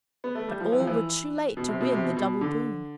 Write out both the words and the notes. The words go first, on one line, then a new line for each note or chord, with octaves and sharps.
But all were too late to win the double boon.
B3
A3
G3
F3
E3
F3
E3
B2
C3
B2
C3
B2
B2
D3